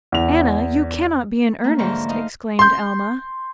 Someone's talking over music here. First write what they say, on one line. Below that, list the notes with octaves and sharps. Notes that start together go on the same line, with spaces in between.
"Anna, you cannot be in earnest!" exclaimed Alma.
E2 F7
A3 A#3
G#2 D3 E3 F3 A#5 C#6
A3 D#4 C5 D#5 F5
C6 G6